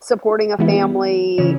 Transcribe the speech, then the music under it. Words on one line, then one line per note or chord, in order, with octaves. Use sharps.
supporting a family,
E3 G#3 B3 E4
C#3 E3 C#4